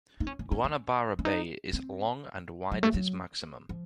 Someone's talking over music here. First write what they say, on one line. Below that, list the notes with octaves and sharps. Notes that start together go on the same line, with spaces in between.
Guanabara Bay is long and wide at its maximum.
D#4
C#4
C#4
C#4
C#4
C#4
D#4
C4
F#3
A3
F#3
F3